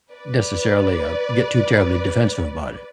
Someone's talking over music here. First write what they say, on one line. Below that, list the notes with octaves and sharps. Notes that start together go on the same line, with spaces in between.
necessarily, uh, get too terribly defensive about it.
B4 D5